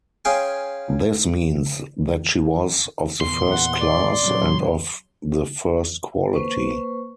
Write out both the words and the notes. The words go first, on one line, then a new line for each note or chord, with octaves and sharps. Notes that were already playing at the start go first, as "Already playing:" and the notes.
This means that she was 'of the First Class' and 'of the First Quality'.
C#4 G#4 F5 G5 G#5 C6
E2 A#2 C6
F#5
D5
A#2 C#3 F#3
A#3 B4 C5 C#6